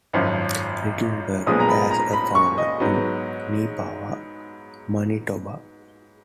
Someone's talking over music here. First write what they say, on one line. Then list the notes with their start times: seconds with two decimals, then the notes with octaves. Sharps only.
Little worked as a farmer in Neepawa, Manitoba.
0.13 G#1 F#2 F3
1.46 B1 A#2 F3 G#3 B3 D#6
1.60 A#5
1.69 B5
1.91 A#5
2.13 B5
2.35 C#6
2.58 D#5
2.80 G#2 F#3 B3